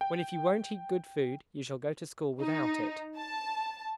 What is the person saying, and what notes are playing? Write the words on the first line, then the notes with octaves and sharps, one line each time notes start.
"Well, if you won't eat good food, you shall go to school without it."
G5
D#4
A5